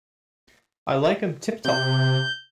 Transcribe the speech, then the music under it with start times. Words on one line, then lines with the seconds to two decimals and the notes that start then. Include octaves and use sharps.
I like 'em tip-top.
1.65 C3 G6